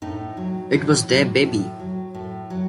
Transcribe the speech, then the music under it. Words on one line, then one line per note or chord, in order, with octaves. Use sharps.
It was their baby.
A2 D#4
F#3
A2
F#3
A2
F#3
A2
F#3